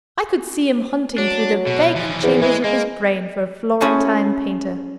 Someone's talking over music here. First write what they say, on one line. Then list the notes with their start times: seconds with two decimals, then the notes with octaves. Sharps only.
I could see him hunting through the vacant chambers of his brain for a Florentine painter.
1.18 F#3 D4
1.67 B2
1.96 E3 F3
2.23 E2
2.42 E3 G#3 G#4
2.64 G#3 A#3
3.80 C#4 E4 F#4 G#4 A4 C5